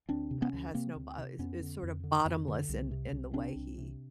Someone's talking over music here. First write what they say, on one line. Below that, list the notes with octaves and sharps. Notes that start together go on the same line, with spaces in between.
uh, has no b uh, is is, sort of, bottomless in in the way he
D2 C4 D4
C3
B3 C#4
D2
C3 A#3 C4
D2
C3
F2 B3 C#4
D3
F2
D3
F2
D3
C2
C3
C2
C3 C4 D4
C2
C3